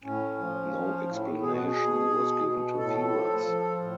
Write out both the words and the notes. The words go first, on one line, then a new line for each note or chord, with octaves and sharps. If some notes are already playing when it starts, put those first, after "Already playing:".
No explanation was given to viewers.
A2 C#4
F3
F3
A2
B2 G#4
F#4
G#4
B2
B2
B2
A2 A4
F3
F3
A2